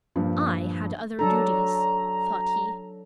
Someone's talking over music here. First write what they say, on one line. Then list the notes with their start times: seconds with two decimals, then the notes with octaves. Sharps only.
"I had other duties," thought he.
0.16 G2 A#2 F3
1.19 F#3 D4 A4 A#5